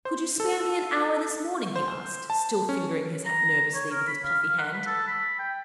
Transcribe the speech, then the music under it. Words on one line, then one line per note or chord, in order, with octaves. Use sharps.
'Could you spare me an hour this morning?' he asked, still fingering his hat nervously with his puffy hand.
C5
A4
C5
A5
C#4
A#5
C#5
A#4
B5
F5
F5
F#5
B4
A4
B5
G5